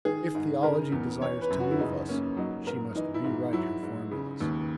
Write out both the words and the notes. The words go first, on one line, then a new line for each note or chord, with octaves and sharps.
If Theology desires to move us, she must re-write her formulas.
D#3 G#4
G#2
C#3 A#4
E2
E3 C#5
B4
F#2
F#4
E4
C#3 D#4
A#3 C#4
F#3 D#4
G#2 A#4
E3 D#4
E4
G#2
F#3 E4
G#2
C#3
D#2